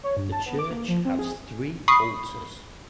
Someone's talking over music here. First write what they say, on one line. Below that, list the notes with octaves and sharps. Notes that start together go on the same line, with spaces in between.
The church has three altars.
C#5
G2
A5
B3
D6
A#3
F3
C4
G#4
B5 C#6 D#6 C7